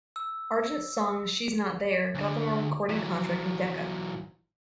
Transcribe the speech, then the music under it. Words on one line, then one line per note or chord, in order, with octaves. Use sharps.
Argent's song "She's Not There" got them a recording contract with Decca.
E6
D2 D3
E3 F#3